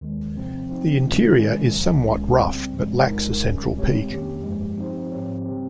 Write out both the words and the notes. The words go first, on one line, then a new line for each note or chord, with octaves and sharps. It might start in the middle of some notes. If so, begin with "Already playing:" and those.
The interior is somewhat rough, but lacks a central peak.
D#2 D#3 G#3
C3 F3 C4
F3 C4 D#4
C3 D#3 G#3 C#4 F4
D#3 G#3 C#4
C2 A#2 F3
C2 A#2 G#3 C#4
C#3 G3 C4
G2 F3 G#3
C2 A#2 G#3 D#4 A#4
C#2 C#3 G3 C#4
A#2 G#3 C4 G4 C#5
F2 D#3 A#3 C#4 G4
G2 F3 G#3
F3 C4 D#4 G4 C5
G#2 F3 C4 G4 C#5
C#3 G3 C4